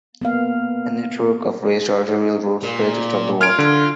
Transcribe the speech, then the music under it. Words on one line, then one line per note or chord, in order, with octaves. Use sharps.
A network of raised arterial roads failed to stop the water.
A#3 B3 F5
A#2
F4 F6 G#6 D7
D3